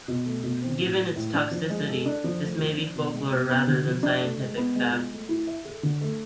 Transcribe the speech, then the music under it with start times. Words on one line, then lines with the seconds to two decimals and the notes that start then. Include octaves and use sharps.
Given its toxicity, this may be folklore rather than scientific fact.
0.08 B2
0.26 A3
0.43 B2
0.62 C4
0.80 A2
0.98 G#3
1.16 A2
1.34 D4
1.51 F3
1.69 G#3
1.88 A4
2.06 D4
2.24 F3
2.41 A3
2.59 F3
2.77 D4
2.96 B2
3.14 G#3
3.31 B2
3.50 B3
3.67 D3
3.85 F3
4.03 D4
4.21 A3
4.39 G#3
4.57 B3
4.75 G#3
4.93 F4
5.12 A3
5.29 E4
5.47 E5
5.65 A4
5.83 D3
6.01 A3